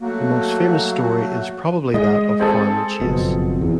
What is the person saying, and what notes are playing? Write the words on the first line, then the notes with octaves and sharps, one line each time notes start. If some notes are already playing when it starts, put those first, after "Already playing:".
The most famous story is probably that of Farmer Chase.
F#3 A3 A#3 F#4
G#3 D#5
C4 G#4 A4
F#1 F2 B2
E2